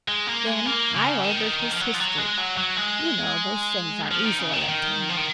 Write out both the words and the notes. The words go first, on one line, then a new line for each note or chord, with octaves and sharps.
Then I ordered his history--you know those things are easily obtained.
G#3
A#3
G#3
A#3
C#3
D#3
F3
F#3
F3
F#3
G#3
F#3
F#3
G#3
F3
D#3
C#3
D#3
D#3
F3
D#3